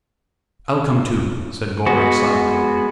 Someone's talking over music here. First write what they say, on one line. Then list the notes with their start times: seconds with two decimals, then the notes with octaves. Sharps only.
"I'll come too," said Gore, excitedly.
1.86 G#3 B3 F#4